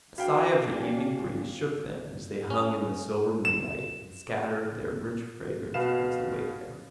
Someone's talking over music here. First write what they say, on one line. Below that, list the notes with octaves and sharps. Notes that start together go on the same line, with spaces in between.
A sigh of the evening breeze shook them as they hung in the silver moonlight, and scattered their rich fragrance towards the wayfarer.
C#4 D4 F#4 F5 G5
C#4
E7
B2 B4 F5 E7